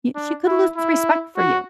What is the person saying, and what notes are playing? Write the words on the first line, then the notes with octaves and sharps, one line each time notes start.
she could lose respect for you.
D4
E4
E4
F#4